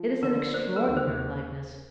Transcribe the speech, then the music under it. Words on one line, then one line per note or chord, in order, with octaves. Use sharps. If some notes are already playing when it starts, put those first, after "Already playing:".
It is an extraordinary likeness.
Already playing: F3
D3 A#4
A#3 C5
A#4
D#2
C5